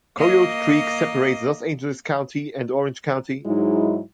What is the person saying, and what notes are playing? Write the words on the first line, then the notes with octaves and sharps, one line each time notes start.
Coyote Creek separates Los Angeles County and Orange County.
A#3 D#5
G#2 F#3 G#3 D#4 E4